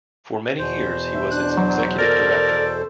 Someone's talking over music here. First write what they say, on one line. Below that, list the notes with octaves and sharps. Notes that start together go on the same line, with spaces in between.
For many years he was its executive director.
E2 B2 C5
E5
D4 F#6
F#3
A4 A#4 D5